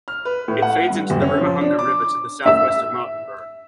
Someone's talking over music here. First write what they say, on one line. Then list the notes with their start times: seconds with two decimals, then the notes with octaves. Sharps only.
It feeds into the Ruamahanga River to the southwest of Martinborough.
0.08 F6
0.25 B4
0.48 A2
0.62 F#5
0.90 G2
1.10 F#1
1.22 C#4
1.41 F3
1.61 D4
1.79 D6
2.46 E5 E6